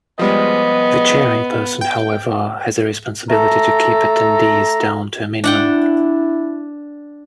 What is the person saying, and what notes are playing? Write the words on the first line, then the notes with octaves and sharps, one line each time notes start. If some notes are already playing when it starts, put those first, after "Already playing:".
The chairing person, however, has a responsibility to keep attendees down to a minimum.
F3 G3 G#3 B3 D#5
G5
A3 A4 A#5
D4 E4 F#5 G5